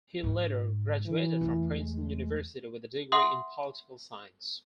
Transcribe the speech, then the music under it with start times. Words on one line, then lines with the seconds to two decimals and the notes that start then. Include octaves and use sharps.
He later graduated from Princeton University with a degree in political science.
0.23 G#2
1.06 E3
1.41 E2 A3
1.76 G#3
3.12 E5 F#5 C6 D#6